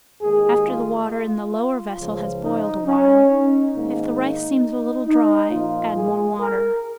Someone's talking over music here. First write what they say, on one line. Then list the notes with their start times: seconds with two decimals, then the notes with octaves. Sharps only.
After the water in the lower vessel has boiled a while, if the rice seems a little dry, add more water.
0.22 D#2 D#3 G#3 G#4
0.67 F4
1.11 F4
1.99 C#2 C#3 F3
2.43 D#4
2.86 C#4
3.31 D#4
3.75 G#2 D#3 A#3
5.06 D#4
5.50 A#2 F3 A#3 F4
5.95 G#4
6.40 A#4